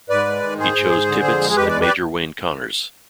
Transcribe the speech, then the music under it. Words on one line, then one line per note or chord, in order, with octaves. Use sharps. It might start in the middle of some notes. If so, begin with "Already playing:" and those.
He chose Tibbets and Major Wayne Connors.
G#2 B4 D5
G#3
D#3
G#2 G#4 C5
G#2
G#2
D3
F2
G#3
G#4
F2 G4 B4
F2 B4 D5
G4 B4
D5